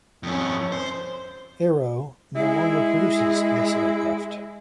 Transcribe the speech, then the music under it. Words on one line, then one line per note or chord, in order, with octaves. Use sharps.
Aero no longer produces this aircraft.
F2 C#4
C5
G#3 E4